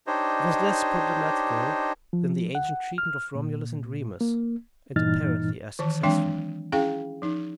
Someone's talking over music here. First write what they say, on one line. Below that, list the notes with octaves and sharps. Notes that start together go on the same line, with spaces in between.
It was less problematical than the ancient treatment of Romulus and Remus, and apparently as successful.
D4 D#4 G4 C5 C#5 D#5
F3
F#5
F6
A#2
A#3
G2 A#2 E3 D#4 F6 A6
D#3 E3 A5
E3 F#3 G#3 C4 D4 G5
C#4 E4 G#4 F5 G5
F3 D#4